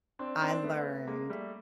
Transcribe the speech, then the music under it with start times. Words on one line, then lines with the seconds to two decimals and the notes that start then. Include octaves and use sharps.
I learned,
0.19 C4 D4
0.41 C4 D4
0.63 A3 B3
1.07 G#3 A#3
1.30 G3 A3